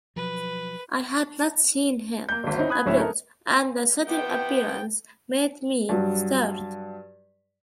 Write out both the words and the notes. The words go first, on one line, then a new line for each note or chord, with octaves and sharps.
I had not seen him approach, and the sudden appearance made me start.
B2 F3 F#3 B4
A#3 G6
G#1 D2
C4 C#4 D#4 E4
B5 D#6 F#6 G#6
D1 A2 C#4 E5
A4 A#4
C3 E3 B3 G5
G2 F#3